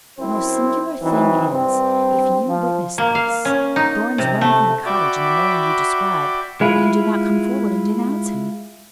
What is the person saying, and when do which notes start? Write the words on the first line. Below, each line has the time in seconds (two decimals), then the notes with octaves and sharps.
"The most singular thing is, if you witnessed this, Thorn's running from the cottage in the manner you describe, that you did not come forward and denounce him."
0.19 F#2 C4 E4 C5
1.02 E3 F#3 C4 D#4
1.51 G2 C4
2.47 F3
2.98 A#3
3.15 F5
3.45 C#4
3.76 D#4
4.18 C3
4.41 A3
4.86 F#4 D5 E5 G5 B5 D6
6.61 G#3 E4 F4